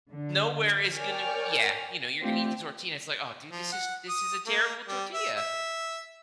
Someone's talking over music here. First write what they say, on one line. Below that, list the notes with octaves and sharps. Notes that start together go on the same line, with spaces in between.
Nowhere is gonna yeah. You know, you're gonna eat the tortilla, it's like, "Oh, dude, this is this is a terrible tortilla."
D3
A#4 C#5 D5 G5 G#5 F6
A3 C4 D4 F4 G4
F3
F#5
D#6
A#3
G3
E5
E5